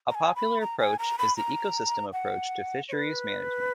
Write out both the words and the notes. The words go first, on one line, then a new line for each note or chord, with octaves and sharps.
A popular approach is the ecosystem approach to fisheries management.
A#5
G#5
B5
A#5
G#5
A#5
B5
A#5
F#5
C#5
B4